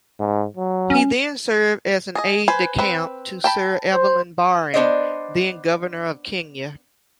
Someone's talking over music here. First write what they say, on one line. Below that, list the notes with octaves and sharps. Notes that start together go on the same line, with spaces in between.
He then served as an "aide-de-camp" to Sir Evelyn Baring, then Governor of Kenya.
G#2
F#3
C#4
G#4 D#5
B4 C5 G#5
C4 B4
G5 A5 B5
C5
B3 D4 C5 D5 D#5